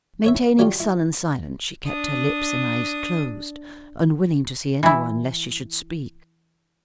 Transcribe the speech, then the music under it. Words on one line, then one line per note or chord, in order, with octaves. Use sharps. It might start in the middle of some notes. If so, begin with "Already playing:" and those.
Maintaining sullen silence, she kept her lips and eyes closed, unwilling to see anyone lest she should speak.
A3 C#5 E5
F#3 A3 D4 F4 G4
E4
D4 D#6
E3 E4